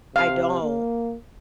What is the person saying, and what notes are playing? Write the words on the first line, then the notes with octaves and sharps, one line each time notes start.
I don't.
C3 F5
A#3